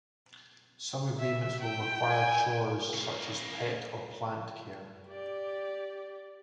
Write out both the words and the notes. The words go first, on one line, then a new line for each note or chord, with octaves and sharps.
Some agreements will require chores such as pet or plant care.
E5
G5
G#5
C#3 A#3
G4 D5